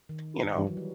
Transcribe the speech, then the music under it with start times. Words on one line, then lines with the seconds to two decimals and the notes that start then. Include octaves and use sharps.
you know,
0.09 D#3
0.56 G2 E3
0.67 F#3
0.77 G3